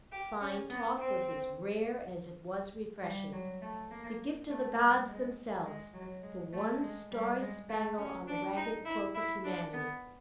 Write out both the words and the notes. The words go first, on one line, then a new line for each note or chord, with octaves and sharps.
Fine talk was as rare as it was refreshing--the gift of the gods themselves, the one starry spangle on the ragged cloak of humanity.
G4
C#4
B3
C4
G3
F#3
A3
A#3
A3
G3
G#3
G#3
F#3
G#3
A3
G#3
G3
G#3
A3
C#4
D4
D#4
E4
E4
D4
B3